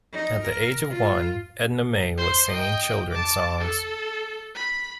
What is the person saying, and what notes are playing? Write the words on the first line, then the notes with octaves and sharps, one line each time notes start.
At the age of one, Edna Mae was singing children's songs.
D#4
A#4
F4
C5 C6
D#5 G5
A5 D6
A4
B5